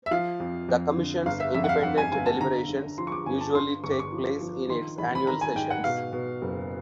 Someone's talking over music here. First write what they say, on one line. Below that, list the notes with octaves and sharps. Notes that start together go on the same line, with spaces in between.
The commission's independent deliberations usually take place in its annual sessions.
E5
F3 F5
F2
F2
D3
G1 F5
E5
F2 E5
F#5
F5
F2 F#5
G#5
G1 G#5
A5
D3 A#5
D3
F3 C6
C#6
D6
G1 G#5
A5
D3 C6
G1 C#6
D6
C#6
F3
F3
D#3 C6
A1 B5
B5
D#3 A#5
G#5
G#2 G5
F#5
B2 F5
B2
F#1